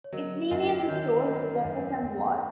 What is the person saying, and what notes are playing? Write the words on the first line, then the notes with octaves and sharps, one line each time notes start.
It renamed the stores Jefferson Ward.
C#5
F#3 A#4 D#5
F#2 A#4 D#5
D#5
D#3 C#5
D#5
D#3 C#5
F#2
F#2